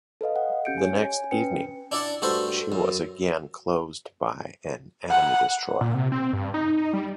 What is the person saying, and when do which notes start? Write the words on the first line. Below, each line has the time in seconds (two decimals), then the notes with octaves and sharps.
The next evening, she was again closed by an enemy destroyer.
0.21 A4 B4 D#5 F5
0.36 F#5
0.65 C#4 G4 G6 C#7 D7
0.78 C#5 G#5
1.05 G#5
1.31 C#4 B4 G5 C#7
1.92 D4 E4 D5 F#5 A5
2.22 G2 A3 F#4 A4 C5 B5
2.72 F#2
5.11 F#5
5.81 A#2
5.94 C3
6.12 C4
6.33 G2
6.54 D#4
6.93 G3